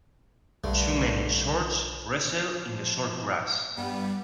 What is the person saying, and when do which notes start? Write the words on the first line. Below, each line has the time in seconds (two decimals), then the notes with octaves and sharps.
Two men in shorts wrestle in the short grass.
0.64 B1 G2 D3 A3
2.56 F3
3.77 G2 G3 B3